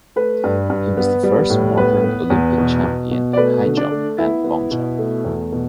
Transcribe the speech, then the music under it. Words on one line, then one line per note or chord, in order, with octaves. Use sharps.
He was the first modern Olympic champion in high jump and long jump.
A3 B4
G2
G2
B3
G3
A2
B3 B4
B3
E2
B2
B2
B2
D5
A3 B4
D3
D4 D5
A3
B3 E4 E5
B3
B2
A3
E2
B2